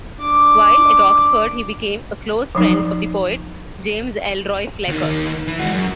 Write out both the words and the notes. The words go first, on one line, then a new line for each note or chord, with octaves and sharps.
While at Oxford he became a close friend of the poet James Elroy Flecker.
D4 D6
F3 F#3 D#4
D#2 D#3
E3
G#3 F#4
F#2